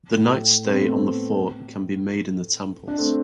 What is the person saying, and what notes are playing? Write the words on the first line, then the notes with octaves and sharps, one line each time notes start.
The night stay on the fort can be made in the temples.
A2
C4
B3
A3 C4
D4
A3 C4